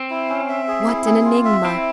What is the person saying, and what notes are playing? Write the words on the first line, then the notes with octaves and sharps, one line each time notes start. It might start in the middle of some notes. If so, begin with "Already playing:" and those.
What an enigma!
Already playing: C4
E4
C#4
E5
G#4
E4
G#4
F4
E5
C4 E4